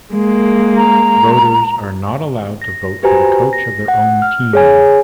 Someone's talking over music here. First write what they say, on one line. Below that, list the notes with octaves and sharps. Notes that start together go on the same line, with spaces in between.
Voters are not allowed to vote for the coach of their own team.
G#3 A#3
A#5
A#6
F#4 G4 B4 C5 G#5 A#5
A#6
F#5
F6
G#4 C#5 G#5